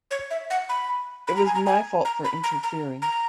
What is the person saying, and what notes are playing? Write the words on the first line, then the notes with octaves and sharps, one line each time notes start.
It was my fault for interfering.
C#5
E5
F#5
B5
B5
A#5
G#5
A#5
G#5
A#5
B5
A#5
A#5
A#5